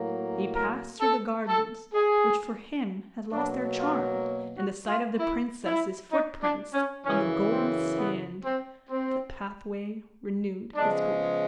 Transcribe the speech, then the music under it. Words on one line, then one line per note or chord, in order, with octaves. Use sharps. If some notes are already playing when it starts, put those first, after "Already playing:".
He passed through the gardens which for him had lost their charm, and the sight of the princess's footprints on the golden sand of the pathway renewed his grief.
Already playing: A2 F#3 A#3
A#4
A4
A4
G#4
B2 F#3 A#3 D4
F4
F#4
F4
E4
E4
D#4
D4
C#4
F#2 C#3 E3 C#4
C4
B3
C4
C4
C#3 F3 G#3 B3 D4